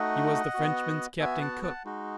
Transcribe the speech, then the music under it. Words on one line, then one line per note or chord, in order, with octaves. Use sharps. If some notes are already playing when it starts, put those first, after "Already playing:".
He was the Frenchman's Captain Cook.
Already playing: A3 D#4 F#4 D#5 F#5
B3 F#4
B3 F#4 E5 G#5
F#5 A5
F#5 A5
G#3 D#4 F#4